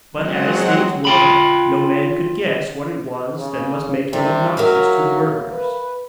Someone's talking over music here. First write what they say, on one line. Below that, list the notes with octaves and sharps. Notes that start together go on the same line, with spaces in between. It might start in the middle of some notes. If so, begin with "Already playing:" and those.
But, as things were, no man could guess what it was that must make him obnoxious to the murderers.
F#3 G#3 C4 F#5
F4 G5 B5
C#3
C3 G3
F#3 A#4 E5 F5
B4